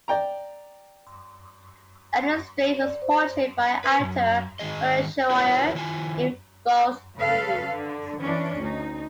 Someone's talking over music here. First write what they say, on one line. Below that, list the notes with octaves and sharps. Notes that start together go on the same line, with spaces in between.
Enos Strate was portrayed by actor Sonny Shroyer in both series.
D5 G5 A#5
D5
C5
B4 C5
F#2 A#2
G#2 D#3 G#3 G#4 D#5
E4 F#4 A#4 B4 C#5 F#5
D#3 E4 F4 G#5
C#3 A4 B4 F5
D3
E3 C#4 D4
D2 D#4